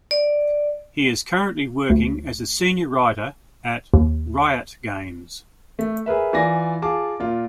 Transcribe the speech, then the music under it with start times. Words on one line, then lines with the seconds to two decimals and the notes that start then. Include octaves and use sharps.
He is currently working as a Senior Writer at Riot Games.
0.11 D5
1.90 D2
3.94 D#2
5.79 A3
6.06 G#4 A#4 B4 E5
6.33 E3 F4 D5 G#5 A#6
6.82 F4 G#4 F5 A5 D6
7.20 A#2 F4